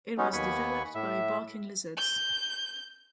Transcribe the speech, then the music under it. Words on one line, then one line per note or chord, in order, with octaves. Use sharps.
It was developed by Barking Lizards.
F#3 G#3 B3 C#4 D#4
D#2 B3 G#5 B5 C#6
A2 E5
G6